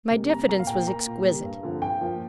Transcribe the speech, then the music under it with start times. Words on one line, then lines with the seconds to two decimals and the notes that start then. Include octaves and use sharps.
My diffidence was exquisite.
0.10 C3 G3 A#3
0.29 C3 A#5
0.49 A#3 A#5
0.59 F5
0.67 A#2 G5
0.86 A#3 A#5
1.06 A#2
1.25 G3 A#3
1.44 G2
1.63 D3 F3 C4
1.82 G2 G5
2.01 F3 A#3